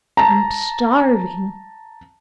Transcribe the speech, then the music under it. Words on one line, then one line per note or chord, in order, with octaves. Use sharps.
"I'm starving!"
A5 A#5